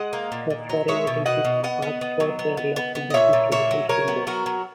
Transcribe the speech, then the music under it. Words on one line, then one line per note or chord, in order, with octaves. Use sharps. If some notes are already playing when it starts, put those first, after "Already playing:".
For foreign agencies, ask for their local business license number.
Already playing: G#3 D#5 F#5
A#3
A#2
A#2
F#3
G#3 C#5 E5
B2
B2 D#5 F#5
B2
B3 D#5 F#5
B3
B3
F#3
B3
B3
B3
B3
D#5
A#2 C#5 E5
A#2
A#2 C#5 E5
F#3
F#3 A#4 C#5
B3
F#3 F#4 A#4
F#3